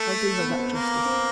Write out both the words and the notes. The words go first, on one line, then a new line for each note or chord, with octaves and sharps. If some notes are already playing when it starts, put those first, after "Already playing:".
I'll do her that justice.
Already playing: A3
B3
C4
B3
A#3
C4